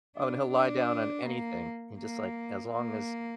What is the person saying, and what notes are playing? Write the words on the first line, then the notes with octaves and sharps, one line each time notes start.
Oh, and he'll lie down on anything. He just, like, as long as,
D4
D4
A#3
A#3
A#3